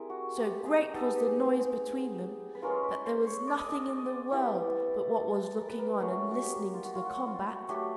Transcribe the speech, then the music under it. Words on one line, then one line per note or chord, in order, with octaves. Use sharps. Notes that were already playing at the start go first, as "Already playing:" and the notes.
So great was the noise between them that there was nothing in the world but what was looking on and listening to the combat.
Already playing: G3 C4 E4 G#4 A#4
F#4
G4
G#4
G3 B3 D#4 A4
G#4
G4
G#4
B4
G#3 C#4 F4 A#4
B4
C5
C#5
D5
D#5
D5
D#5
D5
D#5
D5
G3 B3 E4 A4
A4
A#4
B4
A#4
F#3 A3 C#4 A#4
F#4
G4
F4
F#4
F4
F#4
F4
F#4
F#3 A3 D4 G4